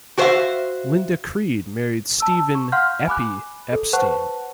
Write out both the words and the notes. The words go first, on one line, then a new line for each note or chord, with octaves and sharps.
Linda Creed married Stephen "Eppy" Epstein.
F#4 G4 C5 C#5 E5 F5
A5 E6
C#6
F5 F#5 C6 F6 G6
G#5 B5 D6 F#6
A4
B4 C5 F#5 A5 C#6 F#6